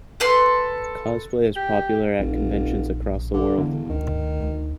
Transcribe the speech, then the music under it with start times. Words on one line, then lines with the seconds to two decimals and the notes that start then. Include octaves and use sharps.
Cosplay is popular at conventions across the world.
0.20 A4 B4 C6
1.56 G4
2.19 F1 A#1
3.34 D3
3.58 E1 D3
3.89 D2 D#3
4.40 D2